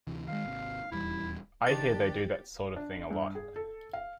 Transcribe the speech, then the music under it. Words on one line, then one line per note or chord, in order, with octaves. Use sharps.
I hear they do that sort of thing a lot.
D2 C3 E3
D#3 F3 G#3 F5
G#1 C3
D#1 E2 G3 E4
D#3 D4 G4 A5 A6
D4
G2
G#4
A4
F5